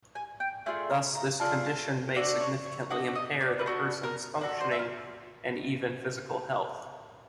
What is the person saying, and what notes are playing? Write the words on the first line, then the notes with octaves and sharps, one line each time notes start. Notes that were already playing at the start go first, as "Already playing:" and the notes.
Thus, this condition may significantly impair the person's functioning and even physical health.
G#5
G5
A3 D4 F4 G#4 G#5
A#5
A#5
A3 D4 F4 G#4 A5
A5
D4 F#4 A4 D5
C#5
C#5
D4 F#4 A4 D#5
D#5
D5
B4
D4 F#4 A4 C5
A#4
D4 F#4 A4 B4
C5
E5
F5